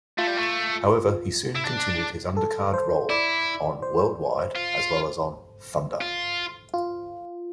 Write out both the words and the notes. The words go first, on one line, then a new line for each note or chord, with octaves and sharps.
However, he soon continued his undercard role on "WorldWide" as well as on "Thunder".
A3 F4
G3
A3
E4
D4
A4
C5
E4 D5
C5
F4
F4
F4